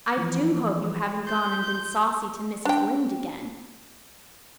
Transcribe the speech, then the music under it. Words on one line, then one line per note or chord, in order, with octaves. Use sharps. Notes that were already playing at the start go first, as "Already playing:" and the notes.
"I do hope you haven't gone and been saucy to Mrs. Lynde again."
E3 F3
C6 G6
D4 G5